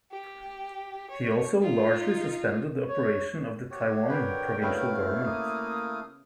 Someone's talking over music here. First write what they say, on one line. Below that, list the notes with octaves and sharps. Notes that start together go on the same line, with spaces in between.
He also largely suspended the operation of the Taiwan Provincial Government.
G4
C#5
D#4 F4
C#5
F#4 G4 C#5
D3 A#4 B4 G5
C#3 A3 B3 E4 F#4 F5
A#3 D#6